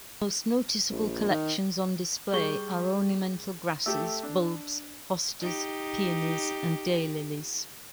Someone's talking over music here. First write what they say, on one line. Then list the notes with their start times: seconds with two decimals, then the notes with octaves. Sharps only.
The most notable collections on display are ornamental grasses, bulbs, hostas, peonies and daylilies.
0.91 A#1
1.30 D#3
2.33 G3 G#4 C#6 G7
3.86 A3 G4 A4 E6
4.23 D4
5.40 D#4 G4